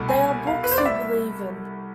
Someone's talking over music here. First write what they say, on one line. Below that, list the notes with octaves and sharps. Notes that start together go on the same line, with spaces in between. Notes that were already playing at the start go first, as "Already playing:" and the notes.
They are books we believe in.
Already playing: C2 B2 A3
G#5
F5
B4
C5
D5
E5